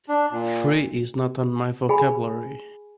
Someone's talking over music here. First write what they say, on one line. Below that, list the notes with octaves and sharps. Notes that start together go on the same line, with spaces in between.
Free is not in my vocabulary.
D4
A#2
G#4 G#5 B5